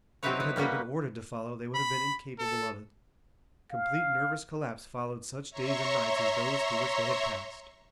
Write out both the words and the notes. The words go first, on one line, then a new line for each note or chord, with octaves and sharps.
Even had they been ordered to follow they would have been incapable of it. Complete nervous collapse followed such days and nights as those through which they had passed.
F#3 C4 D#4 E4 B4 C#5
B3
G3 A#3 B3 F#4
B5
A4
F5
C#5 E5 A#5 C6 C#6